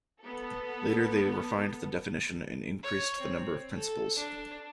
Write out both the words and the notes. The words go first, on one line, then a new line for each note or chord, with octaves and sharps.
Later they refined the definition and increased the number of principles.
B3 A4
C#5
C4
A4
D4